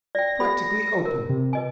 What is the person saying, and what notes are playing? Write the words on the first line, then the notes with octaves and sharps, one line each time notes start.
Practically open.
D5 G5 A#6
G4 A4 B5
A#4
C3
B4 D#5 G#5